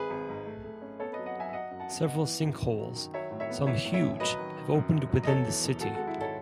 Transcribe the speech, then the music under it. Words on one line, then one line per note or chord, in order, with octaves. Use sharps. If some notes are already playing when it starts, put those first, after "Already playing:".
Several sinkholes, some huge, have opened within the city.
Already playing: G#1 G#4 B4
G#1
G#2
A3
A3
C#4
B3 A4 C#5
B4 D#5
F#3
D#5 F#5
F#3 E5 G#5
E5
F#3 D#5 F#5
F#2
F#5 A5
G#1
B3 D#5 F#5
E3
F#2
D#3
F#3
D#3
F#3 C#5 E5
A2
C#5 E5
B3
E3 C#5 E5
A2
C#5 E5
A1
F#3 B4 D#5
D#3
D#3
F#2
F#2
F#3
D#5
E2 A4 C#5
E3
E1
D#3 F#4 A4
G#3 F#4 A4
E4
G#2 A4 C#5